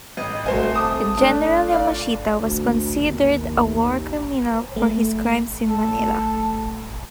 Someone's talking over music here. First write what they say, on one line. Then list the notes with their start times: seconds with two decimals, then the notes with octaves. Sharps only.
General Yamashita was considered a war criminal for his crimes in Manila.
0.17 A1 D#5
0.46 C3 A3 F#4 C5 G#5
0.75 A5 D6 D#6
1.16 A3 D4
1.69 F4 D5
2.40 D2
3.00 D#2
4.76 A3
5.69 A4